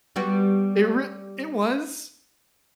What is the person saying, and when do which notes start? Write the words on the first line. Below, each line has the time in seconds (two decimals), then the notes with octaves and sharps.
It rea it was
0.16 G3 B3 F#4